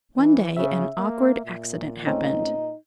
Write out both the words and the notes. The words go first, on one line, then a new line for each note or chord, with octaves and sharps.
One day an awkward accident happened.
E3
C#3 E5
A#3
A#2
A3 C4 C#4 D#4